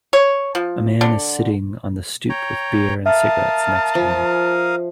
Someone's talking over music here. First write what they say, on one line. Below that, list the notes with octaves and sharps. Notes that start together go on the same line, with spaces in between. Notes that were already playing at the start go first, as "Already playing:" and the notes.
A man is sitting on the stoop with beer and cigarettes next to him.
C#5
F3
D3
C#5 G5 A#5
A#4 E5 F5 A5 D#6
F3